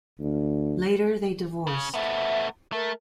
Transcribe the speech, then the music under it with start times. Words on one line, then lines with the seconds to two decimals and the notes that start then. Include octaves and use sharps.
Later they divorced.
0.20 D2
1.67 C#3
1.94 A3 B3 E5
2.72 A3 A#4